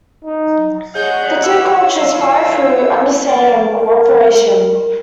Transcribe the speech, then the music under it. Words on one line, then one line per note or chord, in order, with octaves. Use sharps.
The two cultures thrived through understanding and co-operation.
D#4
G#4 C#5 D#5 F#5 G6
E4 C#5 E6
D3 F#3 F4
A#3 D5
A#4